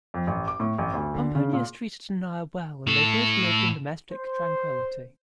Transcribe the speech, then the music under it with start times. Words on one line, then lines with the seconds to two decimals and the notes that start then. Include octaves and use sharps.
Pomponius treated Annia well and they both lived in domestic tranquility.
0.14 F2
0.27 A1
0.48 D6
0.60 A2
0.78 A1
0.93 D2
1.14 D3
1.35 C#3
1.53 A#2
2.87 A2 A4
4.12 C5